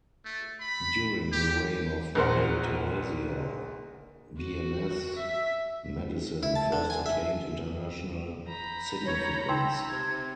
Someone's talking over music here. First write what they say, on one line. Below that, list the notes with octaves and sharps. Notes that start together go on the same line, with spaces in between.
During the reign of Maria Theresia, Viennese medicine first attained international significance.
A3
B5
G4
A#1 A#4 C5 F#5
F#4
E5
E4
A5
D3
G#5
E5
A#5 B5 G6
C#5
D#4 G5 C6 E6
C3 G#6